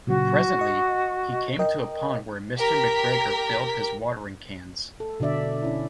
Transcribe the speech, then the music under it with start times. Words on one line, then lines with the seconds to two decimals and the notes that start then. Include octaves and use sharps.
Presently, he came to a pond where Mr McGregor filled his watering cans.
0.07 A#2 C#3 F#3 F#4
0.59 D#5 C#6
1.59 A#4 D#5 G5
2.57 G4 A#4 B6
5.00 A4
5.20 B2 D3 D4 D5 E5
5.63 C#4 E4